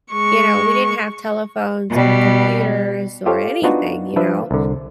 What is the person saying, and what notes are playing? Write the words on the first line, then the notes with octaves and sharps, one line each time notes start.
you know, we didn't have telephones or computers or anything, you know?
G#3 C#6
B2 G3
F4 G4 A4 C5 C#5 F5
B3 D4 D#4 F4 F#4 B4
F3 D4 B4 E5
C2 D3